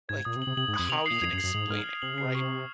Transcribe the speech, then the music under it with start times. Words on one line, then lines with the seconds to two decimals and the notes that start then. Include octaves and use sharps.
like, how you can explain it, right?
0.09 G#2 G#6
0.25 A#2 D#6
0.36 C3
0.42 F#7
0.47 C3
0.57 C3 F#7
0.68 G#2
0.74 D#6
0.79 F2
0.89 C3 F7
1.06 C7
1.11 A#2
1.21 F2 G#6
1.33 F#2
1.38 C7
1.44 F#2
1.54 G#2 F#7
1.70 G#2 F6
1.86 F#7
2.02 C3 F#7
2.14 C#3 C7
2.25 C3
2.35 C#6
2.50 C7